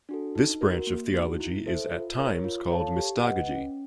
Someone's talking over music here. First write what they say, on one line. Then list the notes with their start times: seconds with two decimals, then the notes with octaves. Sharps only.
This branch of theology is at times called mystagogy.
0.09 D4 F#4 A4
0.35 D#4
0.61 F#4 A#4
0.87 A#3
1.14 D#4 F#4
1.40 E4
1.66 A4 C5 E5
1.91 F4
2.18 A#4 C#5
2.44 F4
2.70 A4 C#5 F5 A5
2.96 G4
3.22 B4 D#5 F#5
3.48 C#4